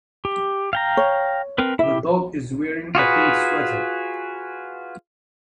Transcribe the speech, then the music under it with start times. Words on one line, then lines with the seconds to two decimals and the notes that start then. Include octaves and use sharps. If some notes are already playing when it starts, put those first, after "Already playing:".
The dog is wearing a pink sweater.
0.25 G4
0.73 F5 G5 A#5
0.97 C#5
1.58 C4 A#4 B4
1.79 E4 G4 E5
2.95 F4 F#4 G#4 B4